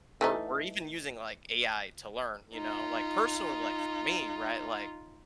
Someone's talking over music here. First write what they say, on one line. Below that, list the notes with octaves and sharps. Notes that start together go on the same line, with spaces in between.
we're we're even using, like, AI to learn, you know, like, personally, like, for me, right, like,
E3 A3 D#4
D#4 F4